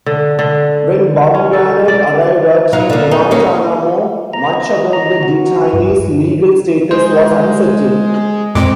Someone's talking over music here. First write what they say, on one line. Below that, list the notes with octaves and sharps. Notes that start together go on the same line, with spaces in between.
When Bumgarner arrived at Guantanamo, much about the detainees' legal status was unsettled.
D3
D3
C#4
A4
D5
F#3 D#4 F4
D3 A#3
D#4
A#3 C#4 D#4
A#5
D#5
A#5
F#4
G2
G#3 C5
F2 A#2 G#3 C4 D6